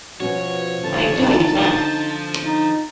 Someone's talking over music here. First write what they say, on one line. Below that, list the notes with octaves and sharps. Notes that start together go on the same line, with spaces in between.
I am doing it now.
B2 F3 C#4 F#4 C#5
D3 C4 A5
D#4
F3
D#4 A6